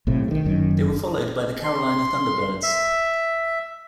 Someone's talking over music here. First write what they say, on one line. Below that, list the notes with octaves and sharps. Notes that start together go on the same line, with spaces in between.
They were followed by the Carolina Thunderbirds.
B1 A2 C3
D3 D#3
F#1 F#2 D#3
C6
E5